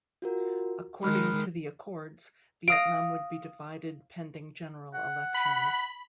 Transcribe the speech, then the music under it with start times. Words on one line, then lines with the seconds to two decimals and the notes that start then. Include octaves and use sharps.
According to the accords, Vietnam would be divided pending general elections.
0.22 F4 F#4 A#4
1.03 D#3 G#3 B5 F6 F#6
2.68 F5 D#6 A#6 D7
4.94 F#5
5.34 B5